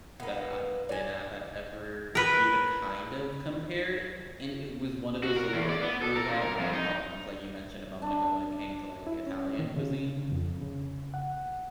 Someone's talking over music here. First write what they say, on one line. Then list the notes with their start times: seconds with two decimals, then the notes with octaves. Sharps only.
that I've been at that ever even kind of compared, and it was one of those little it was one of the mom n' pop ones, like, you mentioned a moment ago, when it came to, like, Italian cuisine.
0.20 A#3 B3
0.89 D5 G#5
2.15 A#4 B4
5.23 F#4
5.36 A#4
5.54 E2
5.70 D5
5.82 B3
6.03 A4
6.18 A#4
6.30 A#2
6.42 A#4
6.60 F2
6.74 D#4
8.02 D4
9.07 E4
9.26 C#4
9.59 D#3
9.76 C#3
10.32 F2
10.62 C#3
11.14 F#5